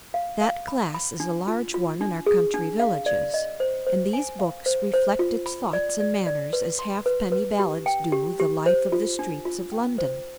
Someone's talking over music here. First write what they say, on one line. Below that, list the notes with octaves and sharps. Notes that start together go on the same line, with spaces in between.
That class is a large one in our country villages, and these books reflect its thoughts and manners as half-penny ballads do the life of the streets of London.
F5
F5
B5
B5
D4
F4
F4
D4
G#4
D4
F5
D5
D#5
C5
C5
G#5
F5
C5
C5
F4
B5
D5
D5
D5
B4
C6
B4
B4
G4
G5
G4
G4
C5
F4
D4
F4
G5
C5